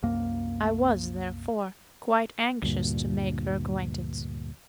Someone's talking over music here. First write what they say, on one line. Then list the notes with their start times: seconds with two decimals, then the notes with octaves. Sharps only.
I was, therefore, quite anxious to make her acquaintance.
0.03 C2 F#2 A#3
2.62 D2 G2 A#2